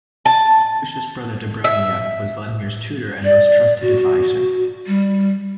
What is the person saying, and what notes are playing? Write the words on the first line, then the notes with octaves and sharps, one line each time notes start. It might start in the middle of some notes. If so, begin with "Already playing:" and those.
Malusha's brother Dobrynya was Vladimir's tutor and most trusted advisor.
A5
E5
D5
F#4
G3